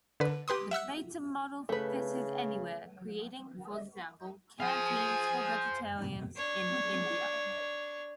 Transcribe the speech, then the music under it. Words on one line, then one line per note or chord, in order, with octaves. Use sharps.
The Bata model fitted anywhere, creating, for example, canteens for vegetarians in India.
D3 B4
G4 B4 C6 D#6
E5 F#5 E6 F#6
C#3 A3 B4
G#4 C5 F5
D4 C#5